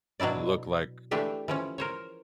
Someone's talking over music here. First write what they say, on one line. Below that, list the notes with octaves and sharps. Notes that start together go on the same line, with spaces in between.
look like
B2 F#3 D4 E4 D5
E3 A3 D4 G4 E5
E3 F3 C#4
A#4 C5 C#5